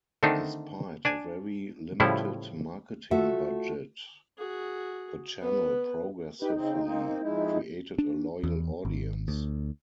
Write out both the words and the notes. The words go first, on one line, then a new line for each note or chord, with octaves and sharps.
Despite a very limited marketing budget the channel progressively created a loyal audience.
D3 D#3 A3 C4 D4 D#4
D4 D5 G#5
A2 C#3 F3 G3 C#4 E4
A3 F4 F#4 E5
F#4 G#4
B3 B4
D#4 G4 B4
C#3 C4
A#3 C4
F2 G#3 E4
D4
E2
G#1
D2